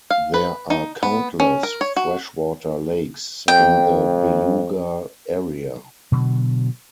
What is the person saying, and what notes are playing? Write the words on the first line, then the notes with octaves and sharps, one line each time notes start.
There are countless freshwater lakes in the Beluga area.
F5
B4
D#4
B3
C#4
A#4
C#5
F#4
F2 G5
B2 D3 F#3